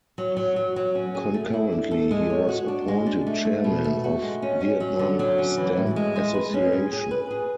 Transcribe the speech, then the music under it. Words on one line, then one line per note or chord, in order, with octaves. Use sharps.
Concurrently he was appointed Chairman of Vietnam Stamp Association.
F#3
F#3
F#3
F#3
C#4
G#4
A3
E4
D4
A4
G#3
C#5
F#4
D4
G#3
D4
A3
A3
B2
A3
F#4
G#3
C#4
C#4
F#3
D3
F#3
C#4
E3
A2
G#3
G#3
B4
C#4
G#4
G#4
B4
G#4